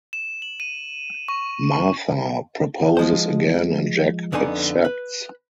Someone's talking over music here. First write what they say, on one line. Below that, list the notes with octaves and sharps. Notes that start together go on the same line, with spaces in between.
Martha proposes again and Jack accepts.
E7
F#7
D#7
C#6
F3 G#3 C5
F2 D3 B3 D#4 G#5 C6
B4